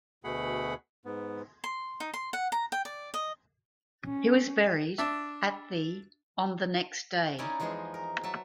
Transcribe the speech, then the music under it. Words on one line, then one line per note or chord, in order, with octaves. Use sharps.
He was buried at the on the next day.
D2 B2 A3 G#4 F#5 B5
G#2 B3
C6
D#4
C6
F#5
A#5
G5
D5
D#5
C#4
D4 E5
C#4 D#4 E4 A#4 D5 D#5
E2 F3 G#3 D#4 G#4 C6
A#4
F#3 E5 A5